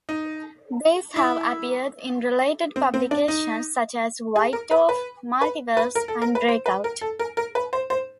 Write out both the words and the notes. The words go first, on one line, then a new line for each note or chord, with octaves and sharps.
These have appeared in related publications such as "White Dwarf", "Multiverse" and "Breakout!".
D#4
E4
C4
C4
D4
D#4
G#4
A#4
B4
B4
B4
B4
A#4
A4
A#4
B4
C5
B4
A#4
A4
A#4
A#4
B4
C5
C5